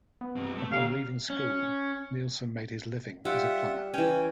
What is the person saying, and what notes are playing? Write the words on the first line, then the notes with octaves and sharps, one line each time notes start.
Upon leaving school, Nilsen made his living as a plumber.
B3
G2 C4
A3
D3 G4 C#5 F5
C#4
G3 F4 G4 E5 F#5
E3 C#4 G5 G#5